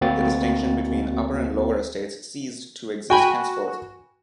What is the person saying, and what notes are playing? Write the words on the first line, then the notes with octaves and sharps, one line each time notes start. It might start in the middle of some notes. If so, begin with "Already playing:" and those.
The distinction between "Upper" and "Lower" estates ceased to exist henceforth.
D2 A#3 C4 F#4 A6
F#4 G5 G#5 B5